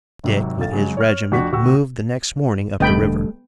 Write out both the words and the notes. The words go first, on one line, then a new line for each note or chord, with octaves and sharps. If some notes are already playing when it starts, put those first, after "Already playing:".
Dick, with his regiment, moved the next morning up the river.
G#1 C3 F#3
A#1 A3 F5 A6
C#3 F#3 G#3
C#5 F6
F2 D4 F#4 B6
D#1 D2 F#4 G5 E6
E1 D3 G3 A3 B3 D#5 G5 B5